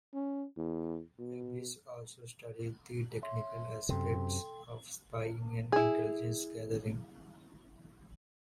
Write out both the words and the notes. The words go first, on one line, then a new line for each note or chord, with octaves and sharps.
Abbes also studied the technical aspects of spying and intelligence gathering.
C#4
E2
B2
C#5 E5 C6
F#2 C3 A4 G5 C6
E4 G#4